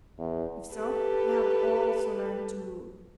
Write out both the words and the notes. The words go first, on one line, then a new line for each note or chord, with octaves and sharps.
If so you have also learned to rule.
E2
G4 A4 B4